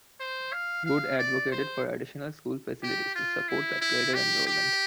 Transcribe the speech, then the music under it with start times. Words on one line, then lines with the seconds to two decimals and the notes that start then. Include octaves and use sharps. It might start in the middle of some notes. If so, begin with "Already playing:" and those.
Wood advocated for additional school facilities to support that greater enrollment.
0.20 C5
0.53 F5
0.86 F5
1.19 D5
1.52 C5
2.83 G4
3.16 F4
3.48 E4
3.82 E4
4.14 G4
4.47 G4